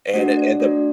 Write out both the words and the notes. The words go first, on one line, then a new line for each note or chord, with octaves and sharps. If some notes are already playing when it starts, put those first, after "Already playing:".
and it and the
A3 D4 F#4 F#5
D5
A3 D4 F#4 D5